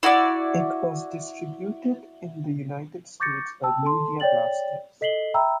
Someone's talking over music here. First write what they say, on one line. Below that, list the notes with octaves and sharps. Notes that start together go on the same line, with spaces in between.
It was distributed in the United States by Media Blasters.
E4 F#4 A4 D5
C#6 D6 G6 A6 A#6 C#7
G5 A5 E6
A4 A5 C6
C#5 D5 G5 A6 F#7
A4 D#5 B6 C7 F#7 G7
E5 G5 A#5 B5 E6